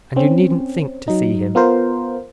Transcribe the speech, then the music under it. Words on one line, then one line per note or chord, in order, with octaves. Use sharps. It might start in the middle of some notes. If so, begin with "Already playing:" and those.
And you needn't think to see him.
C4 C#4
F#3 D#4
B3 F4 A#4 C5